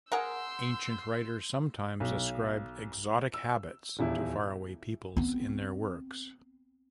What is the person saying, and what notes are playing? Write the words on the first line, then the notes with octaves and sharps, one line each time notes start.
Ancient writers sometimes ascribed exotic habits to far-away peoples in their works.
G#4 A#4 F#5 A#5 C6 E6 G6
B1
E6
D#1 E2 E4
B3 C4